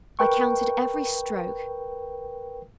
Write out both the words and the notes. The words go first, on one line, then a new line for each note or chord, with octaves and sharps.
I counted every stroke.
A#4 B4 G5 C#6